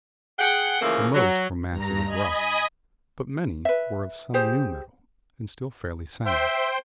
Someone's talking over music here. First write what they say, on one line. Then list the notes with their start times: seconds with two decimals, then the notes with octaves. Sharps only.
The most were masses of rust, but many were of some new metal, and still fairly sound.
0.39 G#4 F#5 G5
0.82 C#3 E3 F3 A3 A#3
1.15 F#3
1.70 G2 A#5 A#6
2.05 D#5 G#5 B5 D#6
3.65 B4 E5
4.34 G4 G#4 C5
6.26 C5 E5 G5 C6